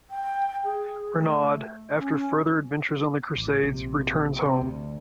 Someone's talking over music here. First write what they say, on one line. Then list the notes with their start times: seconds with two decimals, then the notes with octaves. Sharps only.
Renaud, after further adventures on the Crusades, returns home.
0.11 G5
0.64 G#4
1.19 A3
1.97 C#4
3.37 A1
3.63 A#1 C3
4.46 C3
4.61 D2